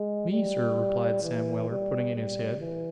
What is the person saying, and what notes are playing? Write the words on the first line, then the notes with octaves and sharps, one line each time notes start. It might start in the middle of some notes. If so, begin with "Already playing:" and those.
'Me, Sir,' replied Sam Weller, putting in his head.
Already playing: G#3
G3
E3
G3
G3
E3